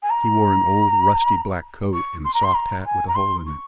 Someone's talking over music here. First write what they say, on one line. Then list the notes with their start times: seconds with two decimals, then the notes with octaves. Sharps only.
He wore an old rusty black coat and a soft hat with a hole in it.
0.03 G#5
0.10 A#5
1.94 C#6
2.25 C6
2.34 A#5
2.44 C6
2.54 A#5
2.85 G#5
3.08 A#5
3.15 C6
3.46 C#6